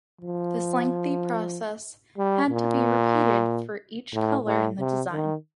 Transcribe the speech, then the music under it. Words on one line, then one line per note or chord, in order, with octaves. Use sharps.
This lengthy process had to be repeated for each color in the design.
F3
G3
A#2
A2
A2
C3
D#3